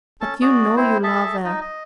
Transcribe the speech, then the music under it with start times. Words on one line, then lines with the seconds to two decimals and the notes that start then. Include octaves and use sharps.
"But you know you love her."
0.21 C#4 A4 A5
0.42 F#4 G#4 D5
0.77 C4 E4 C5
1.03 G#4 A4 E5 A5
1.45 D#4 D#5
1.61 D#5